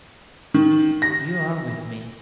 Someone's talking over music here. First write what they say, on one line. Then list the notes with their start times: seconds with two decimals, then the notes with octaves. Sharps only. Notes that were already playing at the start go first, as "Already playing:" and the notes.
You are with me.
0.54 D#3
1.02 A#6